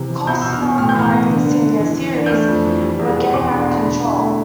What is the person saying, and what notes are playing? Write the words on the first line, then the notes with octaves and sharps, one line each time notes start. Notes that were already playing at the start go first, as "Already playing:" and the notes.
Costs, not unlike the senior series, were getting out of control.
Already playing: C3 E3
E3
B2 G6
B2 E6
F6
B2
A2 F6
G6
E3 F6
B3
D3
D3
D3
E3
E3
D4
G6
A3 F6
F2
E3
G3
E2
B2
E2 D6
D4
C6
B2
D3 B5
E4
A3